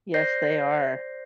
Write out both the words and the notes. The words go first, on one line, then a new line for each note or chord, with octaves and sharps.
Yes, they are.
C5 D5 G6 A#6 C7